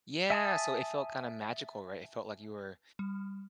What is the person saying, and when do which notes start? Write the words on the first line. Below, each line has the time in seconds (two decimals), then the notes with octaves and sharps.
Yeah, so it felt kinda magical, right? It felt like you were
0.30 E5 G#5 A5 D#6
2.99 G3